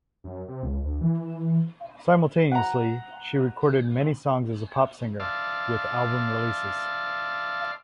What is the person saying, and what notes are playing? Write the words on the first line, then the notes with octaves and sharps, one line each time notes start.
Simultaneously, she recorded many songs as a pop singer, with album releases.
F#2
C3
C#2
D2
E3
F#5 A#5
D5 E5 F5 A5 C6